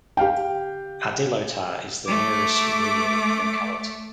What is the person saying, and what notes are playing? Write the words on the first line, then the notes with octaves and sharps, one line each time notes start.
Adilotar is the nearest rural locality.
G4 F5 G5
A3 D6